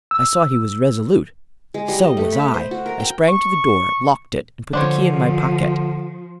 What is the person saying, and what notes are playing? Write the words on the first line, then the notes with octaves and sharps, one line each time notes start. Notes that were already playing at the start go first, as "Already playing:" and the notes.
I saw he was resolute; so was I. I sprang to the door, locked it, and put the key in my pocket.
E6
G#3
G3
D#5
A3
B5
C5
F#4
A#4
G5
C#6
D3 F3 D4 C5 C#5